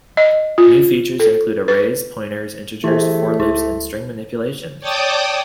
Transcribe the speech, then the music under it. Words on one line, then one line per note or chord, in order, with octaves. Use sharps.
New features include arrays, pointers, integers, for loops and string manipulation.
D#5
F4
A4
B4
E3 A3 E4 G4 G#4 C5
C#2 E4
C#5 D5 G5 A5 D6 D#6